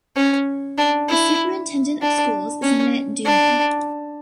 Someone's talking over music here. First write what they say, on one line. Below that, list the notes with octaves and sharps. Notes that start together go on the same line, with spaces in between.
The Superintendent of Schools is Annette Deuman.
C#4
D4
E4
D4
C#4
D4